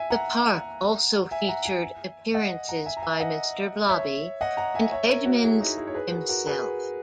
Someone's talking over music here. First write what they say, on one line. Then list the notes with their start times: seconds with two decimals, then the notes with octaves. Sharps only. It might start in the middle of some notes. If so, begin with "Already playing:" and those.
The park also featured appearances by Mr Blobby and Edmonds himself.
Already playing: E5 G#5
0.10 F#5 A#5
1.31 E5 G#5
1.48 F#5 A#5
1.65 E5 G#5
2.34 D#5 F#5
2.69 F#5 A#5
2.86 E5 G#5
2.97 A#5
3.03 E5 G#5
3.20 D#5 F#5
3.89 C#5 E5
4.41 D#5 F#5
4.57 F#5 A#5
4.74 E5 G#5
4.92 C#5 E5
5.09 A#4 C#5
5.26 F#4 A#4
5.43 E4 G#4
5.60 D#4 F#4
5.77 E4 G#4
5.87 C#5
5.94 G#4 B4
6.12 F#4 A#4
6.29 F#4 A#4
6.46 G#4 B4